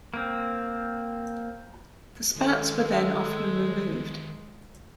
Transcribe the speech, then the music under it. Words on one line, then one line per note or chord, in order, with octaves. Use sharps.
The spats were then often removed.
A#3 C4
D#3 E3 G#3 A4